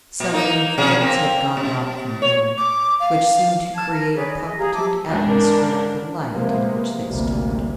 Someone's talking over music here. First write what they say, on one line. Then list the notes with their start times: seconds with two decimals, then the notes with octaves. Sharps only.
Some influence had gone out from them which seemed to create a palpitant atmosphere of delight in which they stood.
0.20 A#2
0.33 A#3 D#4
0.78 C3 F3 G#4
1.01 A#3 C4
1.57 B2
2.22 C#5
2.57 D6
3.00 F5
3.75 A5 G#6
3.92 A#4 F6
4.15 G#4 B4 C#5 D5
4.29 D#5
4.59 G4 G#4 F5 A#5
4.75 E5 A5 D6 E6
5.11 C#2 G#2 E3 D4 A#4
6.33 C3 F3 G#3 A#3 B3
7.07 A1 D2 C3 G3 A#3